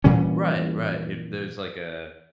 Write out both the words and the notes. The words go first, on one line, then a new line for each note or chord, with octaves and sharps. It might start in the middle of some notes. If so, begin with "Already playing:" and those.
Right, right. Y if there's like a
A#2 E3 G3 C#4